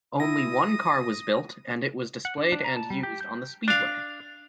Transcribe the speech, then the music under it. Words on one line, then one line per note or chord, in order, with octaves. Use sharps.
Only one car was built and it was displayed and used on the speedway.
E4 D#6 A#6
F#5
D4
D4
A#5
A5
G3
G4
G6
D4 F5